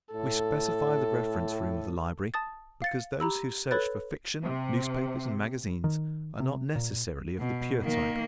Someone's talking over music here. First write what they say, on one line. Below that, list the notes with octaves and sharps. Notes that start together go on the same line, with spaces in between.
We specify the reference room of the library because those who search for fiction, newspapers and magazines are not necessarily of the pure type.
A2 A4
A5 D#6 A6
F5 A6 C#7
G4 A#5 B5 E6
A4 B4 C#5 B5 F#6 A6
C3
D#3
C3
A#2
B2
D#3 A#3